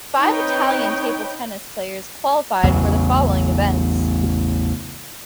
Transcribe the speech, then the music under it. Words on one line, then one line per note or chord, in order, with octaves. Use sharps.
Five Italian table tennis players qualified for the following events.
C4 D#4 B4 C#5 G5
A1 E2 C#3 F#3